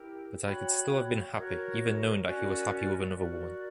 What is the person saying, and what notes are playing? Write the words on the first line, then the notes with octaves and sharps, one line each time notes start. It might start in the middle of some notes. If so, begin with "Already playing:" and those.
But I could still have been happy, even knowing that he was happy with another woman.
Already playing: E4 G4 A#4
F#4 C#5 G5 B5
F#4 A#4 C#5
C#4 F#4 A#4 D5
F#4 A#4 D5